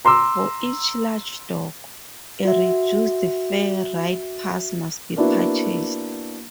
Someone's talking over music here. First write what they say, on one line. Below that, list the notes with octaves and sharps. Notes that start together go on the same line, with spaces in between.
For each "large dog", a reduced fare ride-pass must be purchased.
A#5 C6 D6 E6
F#4 E5
A#3 B3 D4 E4 F#4 B4